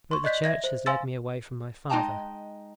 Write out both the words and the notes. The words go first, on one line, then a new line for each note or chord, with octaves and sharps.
But the church has led me away from my father.
C6 C#6
D5 D#5 F#6 G6 B6
E5 G#6 A#6
C5
F5 G#5 C6 E6 A6
G#3 D#4 D#5 G5 A5 A#5